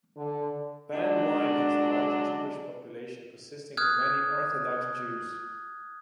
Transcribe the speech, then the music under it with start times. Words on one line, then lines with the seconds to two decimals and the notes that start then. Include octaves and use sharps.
Penn Wynne has a large Jewish population consisting of many Orthodox Jews.
0.17 D3
0.92 F#3 G#3 D4
3.77 D#6 F6 F#6 G#6